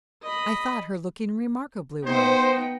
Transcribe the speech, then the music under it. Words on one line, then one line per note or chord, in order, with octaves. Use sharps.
'I thought her looking remarkably well.
D#5 B5
B3 D#4 C5 G5